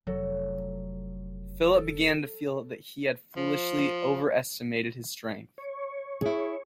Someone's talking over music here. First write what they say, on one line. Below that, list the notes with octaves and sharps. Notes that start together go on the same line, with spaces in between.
Philip began to feel that he had foolishly overestimated his strength.
F1 F#3 A4
A4
F3
C#5
E4 G#4